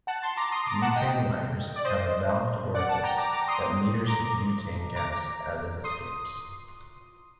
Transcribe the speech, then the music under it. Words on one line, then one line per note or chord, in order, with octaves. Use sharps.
Butane lighters have a valved orifice that meters the butane gas as it escapes.
F#5 A5
A5 C6
A#5 D6
C6 D#6
A#5 D6
F#5 A5
D#5 G5
D5
C5 D#5
D5 F#5
F#5 A5
G5 A#5
A#5 D6
A#5 D6
C6 D#6
A#5 D6
A#5 D6
C6 D#6